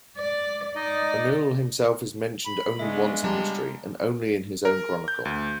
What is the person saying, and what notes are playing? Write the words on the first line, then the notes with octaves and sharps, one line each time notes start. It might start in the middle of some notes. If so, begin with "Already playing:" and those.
Ernoul himself is mentioned only once in history, and only in his own chronicle.
D5
D#4 D5 D#5
B5
C#3 G#3 B3 D4 E5
G3 A5 A#5 C6
A#4
G6
D2